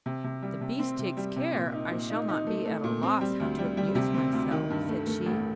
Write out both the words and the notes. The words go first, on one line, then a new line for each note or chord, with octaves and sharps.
"The beast takes care I shall not be at a loss how to amuse myself," said she.
C3
C3
G3
C3
C4
C3
G3
C3
A#2
D#4
A#2
D#4
D#4
A3
A3
A#2
C4
G3
D2
G3
G3
C3
C4
D2
D#3
G2
A3
A3
A1